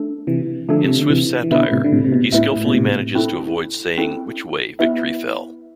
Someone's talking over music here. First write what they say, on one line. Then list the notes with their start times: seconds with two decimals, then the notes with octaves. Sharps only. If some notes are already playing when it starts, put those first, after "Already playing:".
In Swift's satire, he skilfully manages to avoid saying which way victory fell.
Already playing: A3 D4 A4
0.27 C3 E3
0.69 D3 F3 A3 D4 A4
0.85 C3
0.97 D3
1.10 C3 E3
1.44 E3
1.51 B2 D3 E4 B4 E5
1.71 A2 C3
1.84 D3
1.92 A2 C3
2.04 C3
2.12 B2
2.32 A2 E4 B4 E5
2.56 A2
2.65 B2
2.74 A2 C3
3.15 C4 E4 A4
3.98 C4 E4 A4
4.79 B3 E4 B4 E5